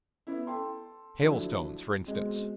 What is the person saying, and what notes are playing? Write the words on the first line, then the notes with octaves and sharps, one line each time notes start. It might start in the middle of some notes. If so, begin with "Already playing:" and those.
Hailstones, for instance.
B3 C#4 E4
A4 G5 C6
D3 F3 F#3 A3 D4 E4
B2 G#3 C4